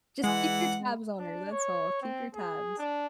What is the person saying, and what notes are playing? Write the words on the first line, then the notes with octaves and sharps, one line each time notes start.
Just keep your tabs on her, that's all. Keep your tabs.
E3 G#3 F#5
D4
C#5
C4
G#4
D4